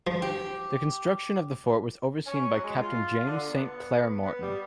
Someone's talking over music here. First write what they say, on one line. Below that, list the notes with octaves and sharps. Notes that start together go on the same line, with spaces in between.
The construction of the fort was overseen by Captain James Saint Clair Morton.
F3
G4
C#4
F#3
G#3
F4
D3
B3
B3
G3